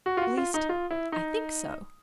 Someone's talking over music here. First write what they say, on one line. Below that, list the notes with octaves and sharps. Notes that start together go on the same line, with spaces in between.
'At least, I think so.
F#4
F4
F#4
F4
D#4
F4
E4
D#4